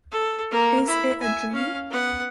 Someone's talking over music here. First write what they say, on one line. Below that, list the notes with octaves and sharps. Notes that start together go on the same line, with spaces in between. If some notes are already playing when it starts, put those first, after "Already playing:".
Is It a Dream?
A4
A#3 A#4
E4 B5
E5 G#5
C#4 F5
B3 F#5